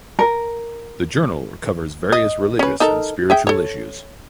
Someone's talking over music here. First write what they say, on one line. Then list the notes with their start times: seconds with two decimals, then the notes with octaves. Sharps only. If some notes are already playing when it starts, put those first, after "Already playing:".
The journal covers various religious and spiritual issues.
0.19 A#4
2.12 D#5
2.59 C#4 B4
2.80 D#4 A4 A#4
3.30 G#4 E5 G5
3.47 A4 C#5